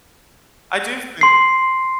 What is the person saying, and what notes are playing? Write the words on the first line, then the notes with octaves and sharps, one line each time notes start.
I do think
C6 C7